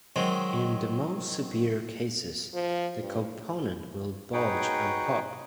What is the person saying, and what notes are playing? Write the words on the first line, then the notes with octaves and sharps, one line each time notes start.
In the most severe cases, the component will bulge and pop.
D#3 F#3 G#3 C4
F3
G2
D#4 F#4 G#4 B4 C#5 G5